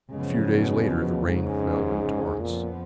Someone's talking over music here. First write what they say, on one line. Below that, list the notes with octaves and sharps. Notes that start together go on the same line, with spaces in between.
A few days later, the rain fell in torrents.
F#2 C#3 F3 G#3 B3
B2
F2 G#2 C#3 G#3 C#4
F2 A#2 F3 B3